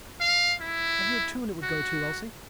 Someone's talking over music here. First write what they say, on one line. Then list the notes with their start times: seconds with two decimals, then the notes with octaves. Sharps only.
"Have you a tune it would go to, Elsie?"
0.20 F5
0.61 E4
1.63 F#4